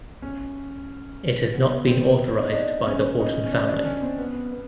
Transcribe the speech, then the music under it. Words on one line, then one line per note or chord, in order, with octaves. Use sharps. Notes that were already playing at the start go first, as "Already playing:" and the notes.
It has not been authorized by the Haughton family.
C#4
B3
C4
D#4
D4
C#4
D#4
C#4
D4
D4
C#4
C4
B3
B3